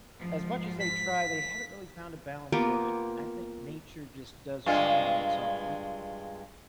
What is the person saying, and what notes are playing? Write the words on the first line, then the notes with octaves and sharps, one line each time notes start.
as much as they try, they haven't really found a balance yet, but I think nature just does fine on its own.
G#2 F3
B6
A#3 B3 F4 G4
G2 G#3 F4